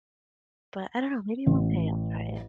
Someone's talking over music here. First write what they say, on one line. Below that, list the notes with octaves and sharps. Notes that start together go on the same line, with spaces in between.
but I don't know, maybe one day I'll try it.
A1